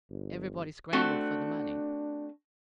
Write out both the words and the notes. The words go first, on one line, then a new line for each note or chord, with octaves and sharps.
Everybody scrambled for the money.
G1
A3 C4 D4 F#4